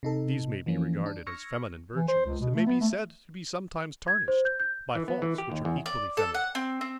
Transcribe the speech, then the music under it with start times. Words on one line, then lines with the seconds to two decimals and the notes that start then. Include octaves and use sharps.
These may be regarded as feminine virtues, and may be said to be sometimes tarnished, by faults which are equally feminine.
0.03 C3 D#4 A4
0.66 E3 F3 A#3 C#4
1.06 D4
1.27 C#6 E6 F6 G#6 A#6 C#7
1.96 E3
2.08 C5
2.25 C#2
2.40 B2
2.55 A3
2.66 B3
2.81 A3
4.08 G#6
4.28 C5
4.45 G6
4.60 G6
4.95 E3
5.08 B3
5.22 E3
5.38 G4
5.52 D#2
5.65 E2
5.86 D5
6.17 A4
6.34 F#5
6.55 C4
6.81 C4